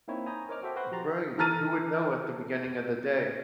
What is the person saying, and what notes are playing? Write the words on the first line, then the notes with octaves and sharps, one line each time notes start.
Right. Who would know at the beginning of the day?
A#3 C4 D#4 E4 C#5
G#5 A#5 B5 D#6 G6
A#4 C5 C#5 D#5 D6 F6
F#4 A4 C5 E5 G5
F#4 B4 C5 C6
F3 G4 B4 A#5 C6 A6
E3 A4 A#5 F6 A6 D#7